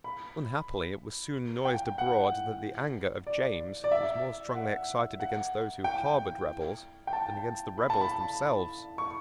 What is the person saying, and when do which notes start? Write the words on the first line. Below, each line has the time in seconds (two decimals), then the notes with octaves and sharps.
Unhappily it was soon noised abroad that the anger of James was more strongly excited against those who harboured rebels than against the rebels themselves.
0.04 B5
1.65 G5
1.98 F#5
3.27 D5
3.84 D5
3.91 E5
4.55 F#5
5.20 F#5
5.84 G5
7.07 G5
7.13 A5
7.78 B5
7.90 A5
8.01 B5
8.98 C#6